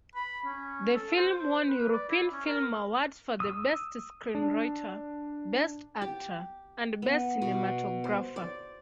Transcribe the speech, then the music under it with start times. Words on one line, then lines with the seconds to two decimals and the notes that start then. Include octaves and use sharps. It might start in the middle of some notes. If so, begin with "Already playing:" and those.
The film won European Film Awards for Best Screenwriter, Best Actor, and Best Cinematographer.
0.15 B5
0.45 C#4
0.94 A4
1.16 C5
1.30 C5
1.68 B4
1.91 D5
2.09 E4
2.32 C#4
2.45 A#4
3.40 D#6 E6
4.35 D4
6.02 G4
7.02 B3
7.42 B2
8.04 C5
8.36 D5